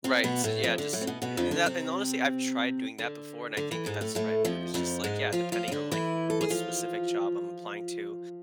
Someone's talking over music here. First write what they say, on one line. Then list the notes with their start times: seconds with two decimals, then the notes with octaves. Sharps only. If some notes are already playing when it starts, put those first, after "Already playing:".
Right, so, yeah, just a and that and, honestly, I've tried doing that before, and I think that that's the right move, it's just, like, yeah, depending on, like, w w what specific job I'm applying to,
0.04 C3 C4
0.24 B2 B3
0.44 A2 A3
0.63 F2 F3
0.78 D3
0.93 A2 A3
1.01 C4
1.07 B2 B3
1.22 B2 B3
1.37 F2 F3
1.51 D3 D4
1.66 C3 C4
2.98 D3
3.57 D3
3.71 E3
3.86 G#2 G#3
4.01 A2 A3
4.15 A2 A3
4.45 F2 F3
4.74 F2 F3
5.04 G#2 G#3
5.32 F3 F4
5.52 F3 F4
5.68 C4
5.72 D3 D4
5.92 E3 E4
6.30 A4
6.41 G#4
6.50 F3 F4